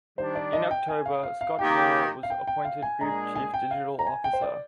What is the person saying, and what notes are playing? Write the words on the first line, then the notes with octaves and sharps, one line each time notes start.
In October, Scott Moore was appointed Group Chief Digital Officer.
D#3 G3 D4 C5
D5
D#5
G5
G#5
F5
F5
F5
D#3 A#3 D#4 G4 G5
F5
G5
G5
F5
G#5
A#2 G#3 D4 G#4 A#5
G#5
G5
F5
A#5
G#5
G5
C5
D5